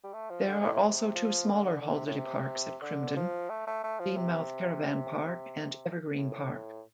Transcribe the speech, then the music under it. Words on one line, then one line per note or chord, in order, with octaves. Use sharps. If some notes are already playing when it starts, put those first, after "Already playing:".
There are also two smaller holiday parks at Crimdon-Denemouth Caravan Park and Evergreen Park.
G3
A3
F3
D3
C3
A2
C3
F3
D3
D3
C3
A2
C3
D3
F3
A3
A3
A3
F3
C3
A2
A2